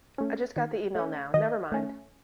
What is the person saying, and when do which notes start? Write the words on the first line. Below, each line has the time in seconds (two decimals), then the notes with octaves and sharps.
I just got the email now, never mind!.
0.18 A3 C#4
0.56 D#3
0.95 A3 C#4
1.34 D#3 D#5
1.72 A3 C#4